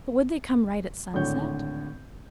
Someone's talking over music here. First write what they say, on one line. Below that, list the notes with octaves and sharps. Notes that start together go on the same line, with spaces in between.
'But would they come right at sunset?'
G#1 A2 D3 C#5 G6